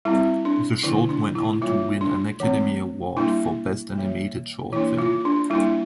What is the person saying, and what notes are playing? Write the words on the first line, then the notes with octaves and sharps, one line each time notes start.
The short went on to win an Academy Award for Best Animated Short Film.
G3 C4 E4
D4
D3 F3 A#3 D4 E4
D4
E4
E3 G3 A#3 F4
D4
E3 A3 C4
G3 A#3 D4 E4
E3 G3 A#3
E3 A#3 D4 E4
F4
D4
G3 A#3 D4 E4